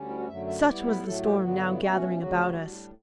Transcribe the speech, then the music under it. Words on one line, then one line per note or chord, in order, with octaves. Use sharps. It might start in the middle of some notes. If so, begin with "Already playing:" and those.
Such was the storm now gathering about us.
Already playing: D2 D3 G3 C#4
E4
F#4
F#2 D3 F#3 A3 E5
E5
A2 G3 B3 E4 D5
B4
A2 F#3 A3 A4
G4
G2 D3 F#3 B3 F#4
E4
B2 A3 C#4 F#4
D2 C#3 F#3 F#4
A2 G3 D4